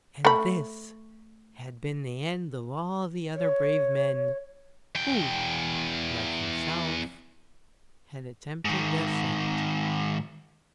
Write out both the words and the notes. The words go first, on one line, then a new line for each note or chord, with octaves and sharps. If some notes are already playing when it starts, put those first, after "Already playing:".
And this had been the end of all the other brave men who like himself had attempted the ascent.
A3 B5
C#5
E2 G5
G#2 D#3